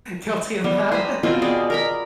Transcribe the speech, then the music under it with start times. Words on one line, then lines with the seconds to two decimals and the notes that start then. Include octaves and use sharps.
guilty of that.
0.64 G3 B3
0.92 C5 G#5 A#5 B5
1.23 B2 C4 F4 G#5
1.42 B3 G#4 D5
1.70 A#4 A#5 B5